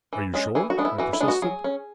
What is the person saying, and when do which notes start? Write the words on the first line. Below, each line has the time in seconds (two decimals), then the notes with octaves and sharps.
"Are you sure?" I persisted.
0.13 E3
0.34 G#3 C#4
0.55 E3 G#4
0.70 F#4
0.78 G#3 B3 D4
0.85 E4
0.98 E3 F#4
1.13 E4
1.20 G#3 B3 D4
1.28 F#4
1.42 F#3 G#4
1.64 C#4